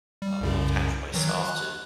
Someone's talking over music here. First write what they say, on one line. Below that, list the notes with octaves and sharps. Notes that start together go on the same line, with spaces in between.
alone time for myself to
G3
C2 F#2 C#3
D#3 E3 F#3
F#6